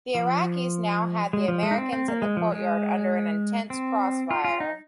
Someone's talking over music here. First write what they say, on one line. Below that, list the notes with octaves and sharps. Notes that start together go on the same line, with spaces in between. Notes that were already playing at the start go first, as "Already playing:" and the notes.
The Iraqis now had the Americans in the courtyard under an intense crossfire.
F3
G#3
F3
G#3
D#4
C4
C4
A#3
G#3
F3
G#3
C4
F4
F4
D#4